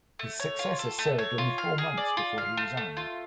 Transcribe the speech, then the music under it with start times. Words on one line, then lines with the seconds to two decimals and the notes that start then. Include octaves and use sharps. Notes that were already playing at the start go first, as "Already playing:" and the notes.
His successor served only four months before he resigned.
0.19 A3
0.40 C#5
0.59 F4
0.79 A4
0.99 A3
1.19 C#5
1.38 F4
1.58 F5
1.78 G#4
1.97 D5
2.17 F4
2.38 F5
2.57 A3
2.77 A3
2.97 F4